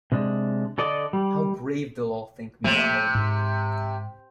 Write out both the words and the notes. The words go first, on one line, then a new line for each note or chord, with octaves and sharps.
How brave they’ll all think me at home!
C3 G#3 D4
D3 A4 D5 D#5
G3
C3 F3 A3 A#3
G#2